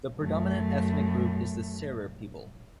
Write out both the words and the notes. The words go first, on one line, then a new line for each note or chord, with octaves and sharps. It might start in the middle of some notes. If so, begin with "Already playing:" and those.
The predominant ethnic group is the Serer people.
F#2 A3